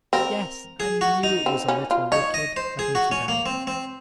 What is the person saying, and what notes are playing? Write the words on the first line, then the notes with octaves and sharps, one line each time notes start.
"Yes, I knew it was a little wicked," admitted Anne.
C4 A#4
G#4
F#4
D#4
C4
C#4
F4
D#4 C#5
D#5
C5
G#4
F#4
C#4
A#3
C4
C4